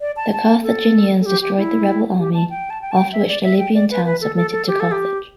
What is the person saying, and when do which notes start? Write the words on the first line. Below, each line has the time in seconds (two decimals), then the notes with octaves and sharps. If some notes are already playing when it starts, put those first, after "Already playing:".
The Carthaginians destroyed the rebel army, after which the Libyan towns submitted to Carthage.
0.01 D5
0.16 A5
0.32 A5
0.63 A4
1.21 A4
1.26 G4
1.41 G4
1.57 E4
2.19 G4
2.34 A5
2.50 G5
2.70 A5
2.81 G5
2.92 A5
2.97 G5
3.13 E5
3.28 D5
3.44 E5
3.59 G5
3.74 D5
3.90 B4
4.05 B4
4.21 A4
4.36 A4
4.52 A4
4.68 G4
4.80 A4
4.91 G4